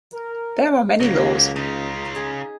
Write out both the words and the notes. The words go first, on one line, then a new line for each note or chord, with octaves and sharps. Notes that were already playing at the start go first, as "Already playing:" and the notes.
There are many laws.
A#4
C#2 C#3 F#3 A#3
C#3 D#4 F4
G#4